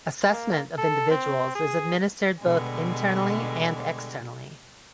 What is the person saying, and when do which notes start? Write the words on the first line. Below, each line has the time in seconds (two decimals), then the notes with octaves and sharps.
Assessment of individuals is administered both internally and externally.
0.32 A#3
0.78 A4
1.11 C4
1.55 G#4
2.39 B2 D3 G3 G#3